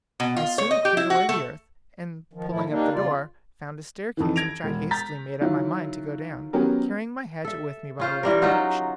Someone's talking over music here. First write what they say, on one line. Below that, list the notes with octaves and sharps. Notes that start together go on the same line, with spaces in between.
I soon cleared away the earth, and pulling up the door, found a staircase, which I hastily made up my mind to go down, carrying my hatchet with me by way of protection.
B2
F4
C#5
D#5
G4
E4
F#4
A3
D#3 F3
A2 F3 E4
D#3 G3 A#3 D4 D#4
F2 C#3 F4 D5
F2 D#3 E3
G#6 A#6 D7 F7
E1
A#5 G6 A6 B6
D#3 F#3 E4 F4
F#3 B3 C#4 G4 A#4
A4 E5
C#4 F4 C5
E3 G3 A#4
F#3 D#4 F4 F#4